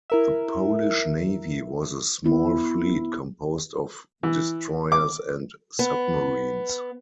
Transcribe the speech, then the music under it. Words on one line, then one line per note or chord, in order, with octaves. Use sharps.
The Polish Navy was a small fleet composed of destroyers and submarines.
E4 A#4 E5
B3 E4
E3
D6
B3